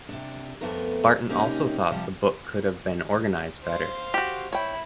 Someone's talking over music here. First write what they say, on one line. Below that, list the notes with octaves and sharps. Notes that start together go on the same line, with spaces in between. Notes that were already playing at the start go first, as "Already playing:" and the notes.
Barton also thought the book could have been organized better.
C3 D4
F2 A3 B3 A#4
C3 G#3 A#3 C#4 D#4 G4
C3 F3 G3
C5 F5
F#4 G4
E4 C#5 G5